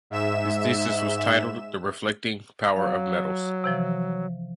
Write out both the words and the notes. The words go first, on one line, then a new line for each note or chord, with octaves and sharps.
His thesis was titled "The Reflecting Power of Metals".
G#2 E5 E7
F#3 F5
C3 E3 F3